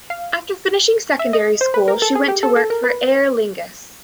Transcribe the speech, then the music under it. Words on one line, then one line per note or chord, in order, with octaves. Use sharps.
After finishing secondary school she went to work for Aer Lingus.
F5
E5
D#5
C5
B4
A#4
A4
G#4
G4
A4
A4
A#4
B4